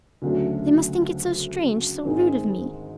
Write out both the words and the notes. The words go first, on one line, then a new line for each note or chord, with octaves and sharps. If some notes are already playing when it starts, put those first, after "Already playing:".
They must think it so strange, so rude of me!
D2 C#3 F#3 A3 D4
G#1 G#2 D#3 G#3 C4